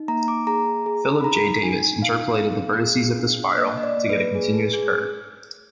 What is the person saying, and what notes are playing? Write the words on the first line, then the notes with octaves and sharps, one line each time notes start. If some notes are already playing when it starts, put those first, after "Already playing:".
Philip J. Davis interpolated the vertices of the spiral to get a continuous curve.
Already playing: D#4
A#3 A#5
D6
G#4 A#5
G#4
B5
D#4 A#5
D#4 G#5
D#4 F5
B3
G#4
D4
A#3 D#5
D#5
D5
A#3
B4
G#4
G#4